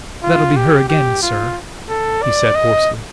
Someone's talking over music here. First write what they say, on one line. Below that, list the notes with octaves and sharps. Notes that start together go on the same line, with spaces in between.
"That'll be her again, sir," he said hoarsely.
F4
G4
G4
F4
A4
D5
D#5